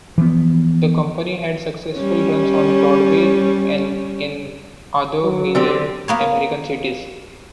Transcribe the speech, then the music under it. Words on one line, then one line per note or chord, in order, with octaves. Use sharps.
The company had successful runs on Broadway and in other major American cities.
E3 F3 B3
G3 C#4
F#3
D3 C4 G4
A#3 B3 C#5